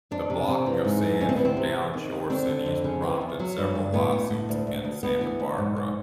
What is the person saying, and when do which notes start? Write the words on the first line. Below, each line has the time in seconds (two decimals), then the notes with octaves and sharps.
The blocking of sand from downshore cities prompted several lawsuits against Santa Barbara.
0.11 F2 D4
0.30 C3
0.48 C3
0.66 E3
0.85 G#2
1.02 E3
1.20 D2 C#4
1.29 C4
1.36 E3 B3
1.45 C4
1.57 C3
1.75 E2
1.93 D#3
2.11 D#3
2.30 D3 C4
2.48 D3
2.66 F2
2.84 C#3
3.02 E3
3.21 E2
3.39 F#3
3.57 G2
3.75 G2
3.93 A2 B3
4.12 A2
4.30 A2
4.49 D2
4.67 D2
4.84 D2
5.03 D2 B3
5.21 E3
5.39 D2
5.58 G#2
5.76 G#2